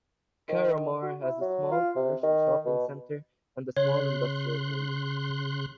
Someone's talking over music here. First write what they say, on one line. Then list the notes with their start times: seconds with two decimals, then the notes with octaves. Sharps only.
Carramar has a small commercial shopping centre, and a small industrial area.
0.48 D#3
1.02 F#4
1.21 E4
1.41 F#3
1.71 F4
1.96 C3
2.23 D#3
2.65 B2
3.77 C#3 C#5 C6 F#6